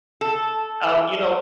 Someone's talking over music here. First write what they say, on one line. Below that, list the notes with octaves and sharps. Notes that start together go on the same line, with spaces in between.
uh, you know
A4